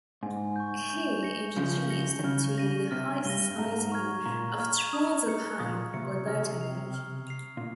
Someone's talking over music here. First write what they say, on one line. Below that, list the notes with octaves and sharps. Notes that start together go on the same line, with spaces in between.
He introduced them to the high society of transalpine libertinage.
G#2 G#5
C#6 G6
G6
A#6 C#7 G7
C#3 F3 G6
A#6 C#7 G7
D#3
C#3 F6
A#6 D#7 G7
C3 F6
G2 A#6 D#7 G7
G#2 A#5
C#6 F6 G#6
A#2 A#5
C#6 F6 G#6
D#6
G#6 C#7
A#2 D#6
C3 G#6 C#7
C3 F6
C7 F7
F6
C7 F7
A#2